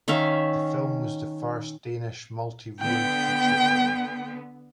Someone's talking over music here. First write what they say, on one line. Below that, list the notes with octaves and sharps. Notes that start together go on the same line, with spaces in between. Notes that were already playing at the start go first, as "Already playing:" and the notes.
The film was the first Danish multi-reeled feature film.
D#3 C#4 E5 F5
D3 B3 G5